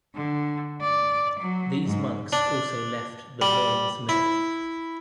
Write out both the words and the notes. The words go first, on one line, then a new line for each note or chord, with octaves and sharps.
These monks also left the "Moines Mill".
D3
D5
F#3
G#2
D4
G3
E4